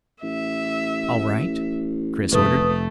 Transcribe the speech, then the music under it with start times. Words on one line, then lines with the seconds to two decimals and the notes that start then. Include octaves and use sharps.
"All right," Chris ordered.
0.23 A1 E5
2.33 F1 A3 B4 D#6